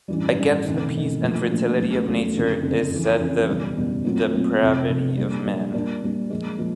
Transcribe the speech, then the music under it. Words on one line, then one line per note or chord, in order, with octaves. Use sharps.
Against the peace and fertility of nature is set the depravity of men.
A1 G2 E3 G3
A1 G2 E3 G3
E1 D2 C3 D#3
E1 D2 C3 D#3
A#1 A#2 F3 A3
A#1 A#2 F3 A3
E2 C#3 F#3 A3
E2 C#3 F#3 A3
F#1 F2 D3
F#1 F2 D3
F2 C#3 E3
F2 C#3 E3
F#1 E2 B2 G3
F#1 E2 B2 G3
A#2 F#3 A3 C4 F4
A#2 F#3 A3 C4 F4
F1 F2 C3
F1 F2 C3
A#1 A#2 G3
A#1 A#2 G3
A#2 G3 A#3 D4
A#2 G3 A#3 D4
A#2 F3 G#3
A#2 F3 G#3